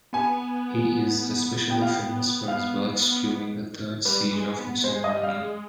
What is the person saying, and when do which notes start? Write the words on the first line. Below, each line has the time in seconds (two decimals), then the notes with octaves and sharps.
He is especially famous for his words during the Third Siege of Missolonghi.
0.13 B3 G#5
1.70 G5
1.82 F5
1.93 G5
2.48 F5
4.05 G3 B4
4.31 G#3
4.58 B3
4.74 B3
4.84 G#3 C5
5.04 D#5
5.10 G3
5.23 F5
5.36 G#3